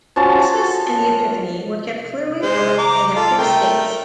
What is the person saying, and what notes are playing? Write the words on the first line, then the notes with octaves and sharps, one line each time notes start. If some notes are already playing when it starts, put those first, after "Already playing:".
Christmas and the Epiphany were kept clearly apart, and had fixed dates.
F3 C#4 F#4 A5
G#3 C5
A#5 D6
F4 A4
A3 A#4 G5